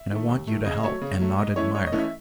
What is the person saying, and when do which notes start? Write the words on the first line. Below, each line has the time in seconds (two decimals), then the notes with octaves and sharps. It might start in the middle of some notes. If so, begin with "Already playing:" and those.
And I want you to help, and not admire.
Already playing: E5
0.11 D#3 A3
0.29 D#2
0.47 D#3 A3
0.65 C#3 D#5
0.83 F#3 A3 C#5
1.01 C#3
1.20 F#3 A3
1.38 G#2 D#5
1.56 E3 A3 C#4 E4 C#5
1.75 G#2 C#5
1.86 D#5
1.92 E3 A3 C#4 E4
1.99 E5